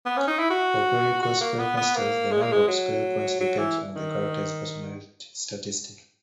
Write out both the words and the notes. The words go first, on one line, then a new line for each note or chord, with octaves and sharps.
For Clerical spellcasters, the number of spell points depends on the character's Personality statistic.
B3
C#4
D#4
E4
F#4
F#4
A#3
B3
B3
A#3
G#3
A#3
G#3
F#3
F#3
E3
D#3